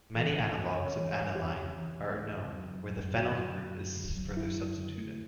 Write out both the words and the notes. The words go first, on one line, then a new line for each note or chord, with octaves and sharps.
Many analogues of aniline are known where the phenyl group is further substituted.
E3 A4
C#2
C#2
C#3 C#5
E3
C#2
C#2 G4
C#3
E3
C#2
C#2
C#3
F#3
F#2
F#2
D3 F#4
F#3
F#2
F#2
D3
F#3
F#2 E4
F#2
D3
A3